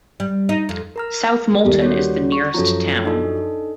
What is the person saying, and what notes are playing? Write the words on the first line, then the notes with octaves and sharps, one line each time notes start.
South Molton is the nearest town.
G3
D#4
F2
A#4 A#5 F6
D#2 G3 A4 A#4
C#4 F#4 C#5
C#6
F#2 F3 A4 C#5 A#5
D4 D#4 A4